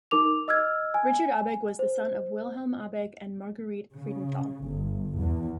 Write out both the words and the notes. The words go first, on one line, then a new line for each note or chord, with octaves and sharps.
Richard Abegg was the son of Wilhelm Abegg and Margarete Friedenthal.
D#4 A#4 D6 F7
D#5 E6 F6 G#6
G#5
C5
C#3
G1
E2